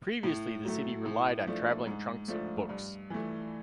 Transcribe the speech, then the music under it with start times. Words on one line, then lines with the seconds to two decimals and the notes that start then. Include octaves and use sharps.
Previously the city relied on traveling trunks of books.
0.23 A2
0.65 F#3 A3
1.06 A2
1.47 F3 A3 D4
1.87 G#2
2.28 F3 A3 D4
2.69 G2
3.10 E3 A3